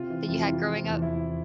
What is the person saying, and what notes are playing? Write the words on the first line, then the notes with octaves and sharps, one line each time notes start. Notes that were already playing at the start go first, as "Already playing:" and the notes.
that you had growing up?
Already playing: C3 F4
E3
F2 F4
E4
C3 F4
F3
E2
E2 E4